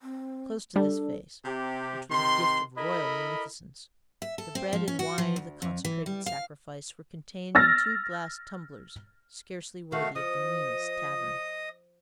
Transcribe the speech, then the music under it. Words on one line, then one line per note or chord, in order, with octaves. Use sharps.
Close to this vase, which was a gift of royal munificence, the bread and wine of the consecrated sacrifice were contained in two glass tumblers scarcely worthy of the meanest tavern.
C4
G3 D4 A4
C3 G4
C3 D#3 C6
E4 A4 A#4 D#5 B5
E5
A4
C4
F3
C#4
F#4
F3
D2
F2
E3
G3
F5
E6 F6 A6 A#6
D#3 A3 F#4 F5
F3 D#5 D#6